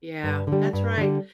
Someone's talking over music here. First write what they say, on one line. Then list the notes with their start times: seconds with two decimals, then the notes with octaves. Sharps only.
Yeah, that's right.
0.23 G2
0.47 D3
0.52 G3
0.73 G2
0.97 D3 G3